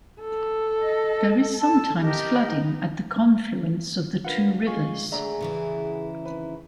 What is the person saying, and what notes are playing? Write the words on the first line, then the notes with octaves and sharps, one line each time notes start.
There is sometimes flooding at the confluence of the two rivers.
A4
D#5
A5 E6
G4 A#4 D#5 G5
D#4
C#3 F3 D4 F4 A#4 B4 F#5
C#3 G#3 F4 G#4 C#6
D2 D4 G#4 E5 A#5
C#3 E3 E4
D#3 C4 B4